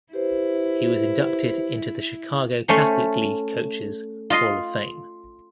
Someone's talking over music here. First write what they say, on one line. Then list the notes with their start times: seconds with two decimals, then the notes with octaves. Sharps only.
He was inducted into the Chicago Catholic League Coaches Hall of Fame.
0.13 E4 G4 B4 C5
2.68 A3 C#4 C5
4.30 F4 D#5 C6